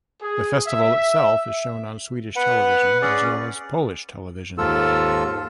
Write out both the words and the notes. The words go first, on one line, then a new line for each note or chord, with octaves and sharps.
The festival itself is shown on Swedish television as well as Polish television.
G#4
E5
B4 F#5
C#4 G#4 D5
D#2 G#2 F4 A4 E6